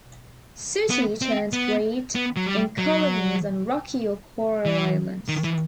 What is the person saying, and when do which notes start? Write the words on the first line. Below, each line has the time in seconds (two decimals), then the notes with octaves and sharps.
Sooty terns breed in colonies on rocky or coral islands.
0.90 B3
1.22 C4
1.53 B3
2.15 B3
2.36 F#3
2.46 G3
2.78 F#3
4.65 E3
5.28 D#3
5.44 E3